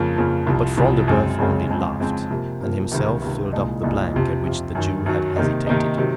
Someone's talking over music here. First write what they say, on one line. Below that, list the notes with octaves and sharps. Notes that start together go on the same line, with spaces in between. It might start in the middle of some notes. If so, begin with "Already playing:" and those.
But Front-de-Boeuf only laughed, and himself filled up the blank at which the Jew had hesitated.
Already playing: F2 C#3 F3 A#3
F2 C#3 F3 A#3
C2 C3 F3
C2 C3 F3
F#2 C#3 G#3 C4
F#2 C#3 G#3 C4
F2 C#3 G#3 C4
F2 C#3 G#3 C4
C3 F3 A#3
C3 F3 A#3
C#2 C3 D#3
C#2 C3 D#3
C2 A#2 G#3 D#4
C2 A#2 G#3 D#4
F2 C3 F3
F2 C3 F3
F#2 D#3 F#3
F#2 D#3 F#3
C3 D#3 A#3 D#4
C3 D#3 A#3 D#4
C3 D#3 F#3